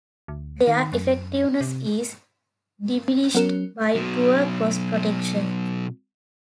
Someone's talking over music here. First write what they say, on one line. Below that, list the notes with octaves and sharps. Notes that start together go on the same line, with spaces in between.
Their effectiveness is diminished by poor cross-protection.
D2
D#3
F#2
C3
F#3 B3 C#4 A#4 E7
B2 F#3